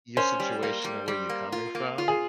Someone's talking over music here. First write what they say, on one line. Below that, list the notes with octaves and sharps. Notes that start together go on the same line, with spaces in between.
your situation and where you're coming from,
C#4 C5
G3
A#3
G3
G3
A#3
F4
A#3
F4
G#4